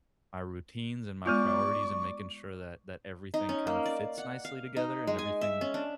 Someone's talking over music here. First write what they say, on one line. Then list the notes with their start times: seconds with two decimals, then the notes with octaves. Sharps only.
my routines and my priorities and making sure that that everything kinda fits nicely together and everything
1.26 G#3 B3 F4 D5 C#6
3.34 D#4
3.49 C#4
3.67 A#3
3.86 D5
4.18 F#5
4.45 F5
4.77 D#4
5.07 G#3
5.19 G#5
5.41 E5
5.61 C#4
5.74 D4